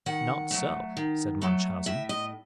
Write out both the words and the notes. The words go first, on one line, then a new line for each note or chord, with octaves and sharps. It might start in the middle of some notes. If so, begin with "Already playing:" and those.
"Not so," said Munchausen.
D#3 F#5
F#3 A3
D#3
F#3 A3
A2 E5
D#5